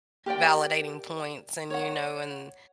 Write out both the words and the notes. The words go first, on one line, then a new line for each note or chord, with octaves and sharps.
validating points, and, you know, and
G4 A#4 D5 G5
C#5 F#5